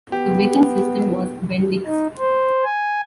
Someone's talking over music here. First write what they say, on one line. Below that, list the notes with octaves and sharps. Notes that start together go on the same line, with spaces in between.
The braking system was Bendix.
B3 G4
D#4
C5
G#5